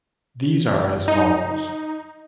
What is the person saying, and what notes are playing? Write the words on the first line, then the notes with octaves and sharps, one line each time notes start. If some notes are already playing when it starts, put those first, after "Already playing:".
These are as follows.
D#4